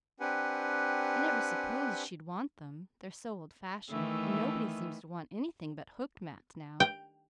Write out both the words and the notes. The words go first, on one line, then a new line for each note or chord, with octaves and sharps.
I never supposed she'd want them--they're so old-fashioned, and nobody seems to want anything but hooked mats now.
C4 D4 G4 B4 F#5 G#5
D#3 E3 A3
G5